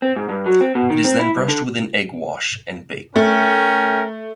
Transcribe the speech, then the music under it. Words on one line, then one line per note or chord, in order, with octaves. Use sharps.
It is then brushed with an egg wash and baked.
C4
G#2
G2
F#3
C4
B2
D#3
C4
E4
G2
D3
A3 C#4 A#4 G5